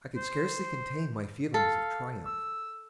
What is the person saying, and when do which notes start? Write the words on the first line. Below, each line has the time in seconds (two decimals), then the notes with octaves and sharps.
I could scarcely contain my feelings of triumph.
0.16 C5
1.54 A4 F5
2.26 E6